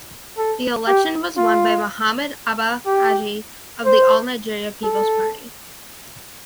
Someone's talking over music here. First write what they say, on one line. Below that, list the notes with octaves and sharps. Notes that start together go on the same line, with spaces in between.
The election was won by Mohammed Abba Aji of the All Nigeria Peoples Party.
A4
G4
F4
G4
C5
A4